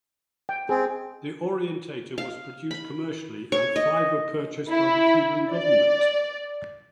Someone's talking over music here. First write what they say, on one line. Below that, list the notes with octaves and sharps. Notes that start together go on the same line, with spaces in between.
The Orientator was produced commercially and five were purchased by the Cuban government.
G5
C4 G#4
F5
B5
C#5
D#5
E4
D5